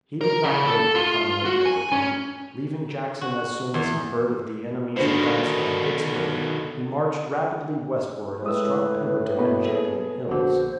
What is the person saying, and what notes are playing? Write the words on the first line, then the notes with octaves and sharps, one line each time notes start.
He did not wait the coming of Pemberton. Leaving Jackson as soon as he heard of the enemy's advance from Vicksburg, he marched rapidly westward and struck Pemberton at Champion Hills.
A#4
C#3
A4
F4
F#4
G#5
C#4
F#4
E2
B2 D3 D#3 C5
A2 G#3 B4 D#6 E6
G2 B2 A#3 B3 B4 D#5
G#4 A4
A#1 D3 F#4 C5